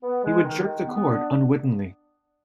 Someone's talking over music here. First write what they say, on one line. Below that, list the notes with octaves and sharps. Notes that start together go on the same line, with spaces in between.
He would jerk the cord unwittingly.
B3
G#3
D#3
D#3
B3
D4